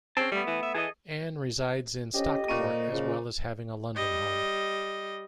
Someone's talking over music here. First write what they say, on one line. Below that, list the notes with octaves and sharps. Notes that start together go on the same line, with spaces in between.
Ann resides in Stockport as well as having a London home.
C4 C#4 G#4 A5
G3 A3 B3
E3
E5
E3 G#4 A4 D#5
F2 C#4 G4 D#5
A#2 A#3 C#6 D#7
C#3 F3
G3 D#5